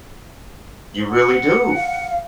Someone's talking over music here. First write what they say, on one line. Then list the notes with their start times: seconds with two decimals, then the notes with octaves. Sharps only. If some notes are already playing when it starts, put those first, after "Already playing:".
You really do.
1.10 F#5
1.77 F5